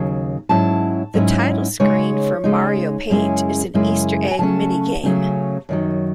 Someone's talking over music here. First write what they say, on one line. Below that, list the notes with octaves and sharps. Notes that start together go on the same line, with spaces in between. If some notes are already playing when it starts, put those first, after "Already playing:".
The title screen for "Mario Paint" is an Easter egg mini-game.
Already playing: D#2 C#3 F#3
G#2 F#3 C#4 E4 A5
G#2 F#3 C#4 E4
C#3 G#3 D#4 C#5
C#3 G#3 D#4
F#2 C#3 G#3 C#4 E4
F#2 C#3 G#3 C#4 E4
G#5
C#3 F#3 A3 C#4 A5
C#3 F#3 A3 C#4
F#2 D#3 F#3